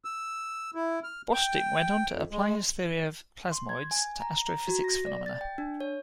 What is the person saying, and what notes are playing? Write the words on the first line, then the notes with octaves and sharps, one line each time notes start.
Bostick went on to apply his theory of plasmoids to astrophysics phenomena.
E6
E4
F6
G5
F2
G#3
C6
G#6
G#5
A#5
A#5
F#4
A#6
D5
A6
G5
D4
C#5